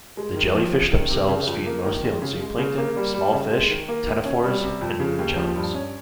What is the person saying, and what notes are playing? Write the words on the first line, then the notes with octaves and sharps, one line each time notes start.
The jellyfish themselves feed mostly on zooplankton, small fish, ctenophores, and moon jellies.
G#3
D#3
F3
C#3
D#3
C3
C#3
F2
A#3
D#3
G#3
C#3
G#3
C#3
A#3
G3
G3
C#3
G#3
D#3
A#3
D#3
C#4
G3
C3
F2
C#3
D#2
F3
G2
C#4